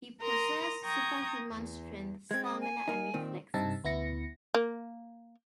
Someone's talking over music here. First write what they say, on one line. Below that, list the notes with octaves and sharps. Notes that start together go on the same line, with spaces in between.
He possessed superhuman strength, stamina, and reflexes.
A#4 A#5 C6 D#6
G5 A#5 C#6 D#6 G6 G#6
E2
G#3 C4 G#6
D#6
G#5
A#3 D#4
A#2 D#3 C4
G2 C3 C4 D#4 A5 E6
D2 B3 E4 A#6 C#7
A#3